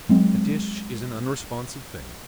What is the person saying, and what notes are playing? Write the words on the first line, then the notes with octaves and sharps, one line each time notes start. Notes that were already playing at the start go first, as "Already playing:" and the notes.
A dish is an unresponsive thing.
F#3 G#3 C4